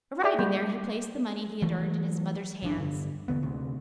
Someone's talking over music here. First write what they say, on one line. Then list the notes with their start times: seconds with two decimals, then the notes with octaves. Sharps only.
Arriving there he placed the money he had earned in his mother's hands.
0.24 G#4 D5 E5
0.39 G3 G6
1.62 E3 F#3 A3
2.63 F1 F#2 D4
2.78 G2 D3
3.28 E1 G#2 D3 B3
3.43 D2 C3